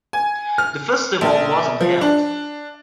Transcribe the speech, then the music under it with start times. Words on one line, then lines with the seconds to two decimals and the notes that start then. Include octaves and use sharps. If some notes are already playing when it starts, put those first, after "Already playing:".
The festival wasn't held.
0.13 G#5
0.58 F6
1.21 A#1
1.81 F3
2.01 D4